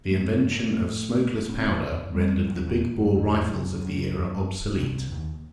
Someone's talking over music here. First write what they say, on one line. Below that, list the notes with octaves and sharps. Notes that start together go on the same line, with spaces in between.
The invention of smokeless powder rendered the big bore rifles of the era obsolete.
A3
G2 G3
A2 A3
B3
C4
B2 B3
G2 G3
F#2 F#3
E2 E3
F#2
E2
F#2
F#2
C2 C3
D#2 D#3